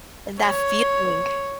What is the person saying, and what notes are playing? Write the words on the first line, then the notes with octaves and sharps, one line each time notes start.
And that feeling.
C#5